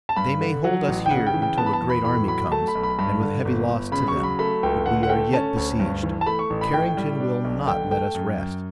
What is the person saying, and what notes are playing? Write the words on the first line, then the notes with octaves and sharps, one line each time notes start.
They may hold us here until a great army comes, and with heavy loss to them, but we are yet besieged. Carrington will not let us rest.
A5
G2 B5
D3
F#3 F#5
A1
G5
C#3 F#5
G5
E3
G5
B3 A5
B5
A5
E2
B5
A2 B5
F#3 B5
A3 A5
B5
B1
B5
G2 B5
D3
G1
G1
C#3 B5
C#6
F#3
B5
A3 B5
C#2 G5
D3 F#5
F#5
A3 G5
C#4 A5
D2
G2
E3
A5
A3 B5
C#6
A1
B5
A2 G5
G3
D4
B1
D3 G5
A3 G5
F#2
F#2